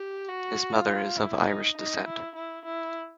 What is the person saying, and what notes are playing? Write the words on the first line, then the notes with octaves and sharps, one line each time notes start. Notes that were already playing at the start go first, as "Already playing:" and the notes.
His mother is of Irish descent.
Already playing: G4
F#4
F4
E4
D#4
D#4
E4
E4
E4